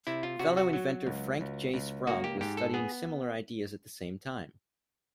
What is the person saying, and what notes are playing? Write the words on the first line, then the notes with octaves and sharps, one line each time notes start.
Fellow inventor Frank J. Sprague was studying similar ideas at the same time.
C3 E4
F4
C3 F#4
F#4
F#3
C#2
C#2
C#2
A#3 F#4
G4
G#2 G4
A4
B3 G#4